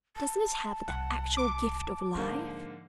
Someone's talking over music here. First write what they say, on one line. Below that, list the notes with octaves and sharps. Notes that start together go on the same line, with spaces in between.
Doesn't it have the actual gift of life?
A5
C2 F#5
D6
G#2 D3 F3 A#3